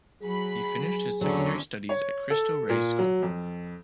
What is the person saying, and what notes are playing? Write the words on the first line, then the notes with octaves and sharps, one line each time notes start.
He finished his secondary studies at Cristo Rey School.
F#3 G#4 B5
E2 D3 F#3 C#4 C#5
C#5
A4
A#2
F#3
F2